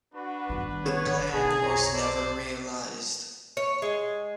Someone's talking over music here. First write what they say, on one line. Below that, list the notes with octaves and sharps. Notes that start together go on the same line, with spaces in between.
The plan was never realized.
D4 F#4 B4
G1 D#3
B3 C#5
B1 B3 G#4 G#5 A5
F2 C#5 A#5
A4 C5 D5
C#5
G#3